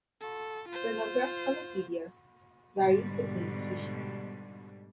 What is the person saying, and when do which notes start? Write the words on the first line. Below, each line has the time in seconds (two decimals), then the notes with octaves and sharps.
The number of scolopidia varies between species.
0.21 A4
0.68 F4 C5
2.79 G#2 B2 D3 G3